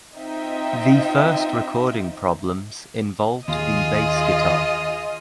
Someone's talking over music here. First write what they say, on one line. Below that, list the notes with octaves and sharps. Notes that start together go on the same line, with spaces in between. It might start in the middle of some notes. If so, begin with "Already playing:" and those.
The first recording problems involved the bass guitar.
C4 D#4 F4 D#5 E5 G5
D#2 F4 G#4 D#5